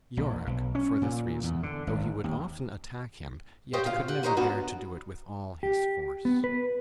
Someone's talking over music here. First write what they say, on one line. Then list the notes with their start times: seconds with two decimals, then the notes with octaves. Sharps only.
Yorick, for this reason, though he would often attack him--yet could never bear to do it with all his force.
0.17 A#1
0.47 B1
0.75 C#4
1.02 A#2
1.44 E2
1.63 D3
1.87 G#1
2.24 D#2
3.73 G4 C5 C#5 D#5 F5 G5
3.85 D2 F4 F5
4.08 G4 F#5
4.23 D#3 G4 C5 C#5 D#5 A#5
4.37 B3 C#4 D4 F#4
5.63 G4
6.25 B3
6.44 B4